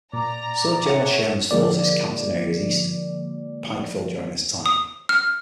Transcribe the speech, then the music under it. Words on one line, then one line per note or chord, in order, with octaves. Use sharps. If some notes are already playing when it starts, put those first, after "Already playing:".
Some of General Sherman's forces camped in areas east of Pikeville during this time.
A#2 D5 A#5
G#4 C#5 E5 F#5
D3 F3 G#3 A#3 D5
D#6
F6